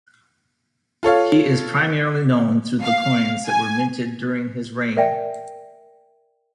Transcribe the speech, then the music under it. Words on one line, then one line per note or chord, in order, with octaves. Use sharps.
He is primarily known through the coins that were minted during his reign.
F4 A4 C#5 F5
F5
G#5
A#4 D5 E5 G5 G#5